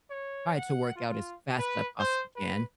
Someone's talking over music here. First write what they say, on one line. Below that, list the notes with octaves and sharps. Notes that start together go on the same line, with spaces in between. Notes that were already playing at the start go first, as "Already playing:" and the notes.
try to work out as fast as I possibly can,
C#5
F#5
F4
B4
C5
B4